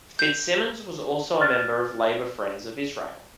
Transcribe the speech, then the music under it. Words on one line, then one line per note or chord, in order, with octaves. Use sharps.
Fitzsimons was also a member of Labour Friends of Israel.
G6
F6 F#6 A6